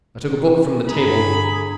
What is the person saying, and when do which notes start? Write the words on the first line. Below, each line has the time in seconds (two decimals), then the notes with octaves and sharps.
I took a book from the table.
0.89 G2 D3 G#4 A#5 B5